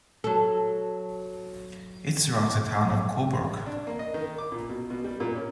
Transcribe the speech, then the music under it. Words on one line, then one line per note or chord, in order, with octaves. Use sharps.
It surrounds the Town of Cobourg.
F#3 A4
D4
A#3
D#5
D#3
D6
A#2
B2
B2
G3
A#2
C#4